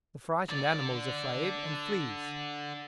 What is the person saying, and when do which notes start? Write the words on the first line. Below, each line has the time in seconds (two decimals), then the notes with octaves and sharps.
The frightened animal is afraid and flees.
0.49 D3 D5